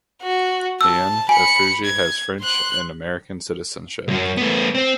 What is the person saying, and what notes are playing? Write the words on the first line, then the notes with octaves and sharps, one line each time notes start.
Anne Ephrussi has French and American citizenship.
F#4
A5 E6
G#5 B5 C#7
G#6
C6 F#6
C2 F#2
A3 B3
C4